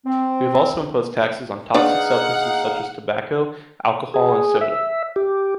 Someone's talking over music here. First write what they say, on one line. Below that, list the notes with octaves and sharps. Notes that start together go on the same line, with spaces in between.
We have also imposed taxes on toxic substances such as tobacco, alcohol and soda.
C4
D4 D#4 G#4 B4 D5 F5 F#5
G#4
E5
G4